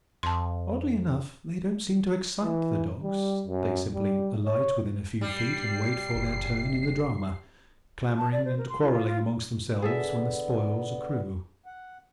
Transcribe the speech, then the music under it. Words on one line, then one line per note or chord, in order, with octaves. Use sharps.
Oddly enough, they don't seem to excite the dogs; they simply alight within a few feet and wait for their turn in the drama, clamouring and quarrelling amongst themselves when the spoils accrue.
F2 A5 C6
E3
G3
F#2
G3
C#5
G3 C7
F#1
A5
D5
C5
A#4
C6
F4
F4
D3 B3 G#4 A4 E5
F#5